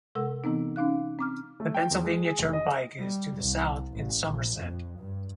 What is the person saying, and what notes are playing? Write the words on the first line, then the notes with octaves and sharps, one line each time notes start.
The Pennsylvania Turnpike is to the south in Somerset.
C3 G#3 A4 F#5 E6
C3 E3 B3 C4 D#4
C#4 D#4 F5 F#6
C4 D6 F6
A3
G5
E2
G#3
G#4
F1
D#5
G3
C2
A1
A#1
F2
G2